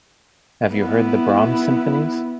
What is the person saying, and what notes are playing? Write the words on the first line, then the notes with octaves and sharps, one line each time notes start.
Have you heard the Brahms symphonies?
B3 E4